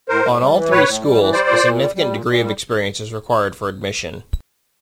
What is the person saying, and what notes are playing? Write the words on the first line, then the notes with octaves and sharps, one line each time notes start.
On all three schools, a significant degree of experience is required for admission.
A2 A#4 C5
A2
G3
E3
A2 B4 C#5
A2
G3
E3
G3 C5 D5
A#2
A#2
G3
G3
A#2
A#2
G3